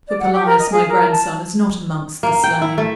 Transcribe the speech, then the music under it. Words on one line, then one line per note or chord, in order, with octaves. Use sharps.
For Callias, my grandson, is not amongst the slain.
D5
F#5
G4
A#4
D#5
G#4
A#4
A5
A#3
G5
E4
A3